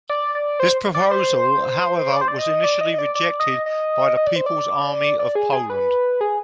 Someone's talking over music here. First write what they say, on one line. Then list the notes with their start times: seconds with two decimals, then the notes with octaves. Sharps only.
This proposal, however, was initially rejected by the People's Army of Poland.
0.10 D5
0.35 D5
0.60 C5
0.94 D5
1.11 C5
2.13 D5
2.21 C5
2.28 D5
2.39 D#5
2.64 D5
2.81 D#5
2.94 D#5
2.98 D5
3.15 D5
3.40 D#5
3.66 D#5
4.17 D#5
4.27 D5
4.36 C5
4.46 D5
5.19 D5
5.35 G#4
5.52 G#4
5.70 B4
6.21 G#4